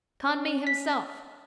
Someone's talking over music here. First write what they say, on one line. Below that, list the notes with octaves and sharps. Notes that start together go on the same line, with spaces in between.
Conmee himself!
C#4
B6